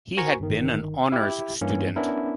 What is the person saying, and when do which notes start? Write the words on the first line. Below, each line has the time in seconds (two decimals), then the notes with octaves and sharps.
He had been an honors student.
0.17 F#4 A#4 C5 G#5 A#5 C#6
0.40 G1 D#3
1.12 E4 G4
1.61 G2 E3 A#3 C#4
1.96 B3 C#4 D4 E4 A#4